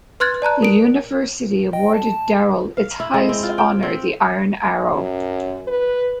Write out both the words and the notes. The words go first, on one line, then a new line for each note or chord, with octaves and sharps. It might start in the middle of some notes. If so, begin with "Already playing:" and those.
The University awarded Daryl its highest honor, the Iron Arrow.
B4 C6 F6 F#6 G#6 A6
D5 A5 A#5 F#6
A#4 D7
D#5 G5
A5
F5
E4
G#3
C4
F4
G5
C4
F#2
B4